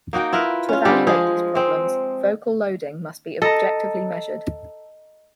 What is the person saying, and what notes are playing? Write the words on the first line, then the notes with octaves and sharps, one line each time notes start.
To evaluate these problems, vocal loading must be objectively measured.
A#3 D#4 F#4 G5
E4 F4 A#4 B4
C#4 F4
D3 G3 G#3 G4
F3 G#3 G#4
G#3 C4
A4 D#5 A#5